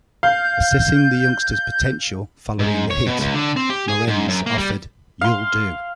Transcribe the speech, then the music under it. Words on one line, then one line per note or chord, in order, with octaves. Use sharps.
Assessing the youngster's potential following the hit, Morenz offered, "you'll do".
F5 G6
G#2
C#5
B2
C#2
D3
C4
G4
G#4
G#2
F#2
A#3
G3
F5 C6